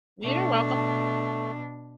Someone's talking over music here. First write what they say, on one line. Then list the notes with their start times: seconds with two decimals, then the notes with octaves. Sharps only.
You're welcome.
0.24 B2 A3 D4